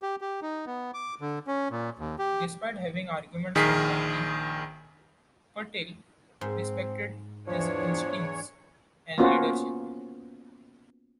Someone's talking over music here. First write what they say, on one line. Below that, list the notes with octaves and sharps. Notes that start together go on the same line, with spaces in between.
Despite having arguments with Gandhi, Patel respected his instincts and leadership.
G4
G4
D#4
B3
D6
D3
C#4
A#2
D#2
G4
A#1 D#3 G#4 A#4 B6 C7
G#2 C4
E2 E3 F3 D4 C#5
A#3 B3 C#4 F4 F#4 C5